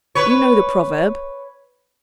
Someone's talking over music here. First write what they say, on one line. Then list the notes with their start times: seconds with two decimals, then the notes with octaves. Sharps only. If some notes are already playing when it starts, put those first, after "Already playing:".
'You know the proverb.'
0.15 B4 C#5